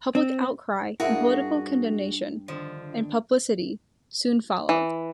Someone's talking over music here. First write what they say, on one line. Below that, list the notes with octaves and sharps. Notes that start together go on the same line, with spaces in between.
Public outcry and political condemnation, and publicity soon followed.
C4
G2 D4 E4 F#4 G#4 A#4 F5
D3 D#3 F3
E3